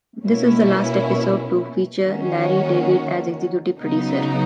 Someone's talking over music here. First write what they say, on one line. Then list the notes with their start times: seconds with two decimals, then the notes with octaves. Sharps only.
This is the last episode to feature Larry David as executive producer.
0.24 B2 A#3 C#4 E4
2.02 D#3 A#3 C#4 F#4
3.80 C#3 F#3 B3 D#4